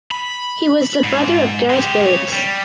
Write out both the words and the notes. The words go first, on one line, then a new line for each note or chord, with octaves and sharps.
He was the brother of Gareth Williams.
B5
G#2
G#3 G4
C#3 C#5
G3